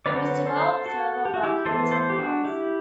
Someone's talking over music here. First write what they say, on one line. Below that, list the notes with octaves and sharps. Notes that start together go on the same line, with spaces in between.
It was developed further by Clayton Alderfer.
D3 F#3 C4 B4 D5
A4 C5
F#4 A4
G4
F#4
E4 G4
E3 B3 A4 C5
A4 C5
G4
D4 F#4
E4 G4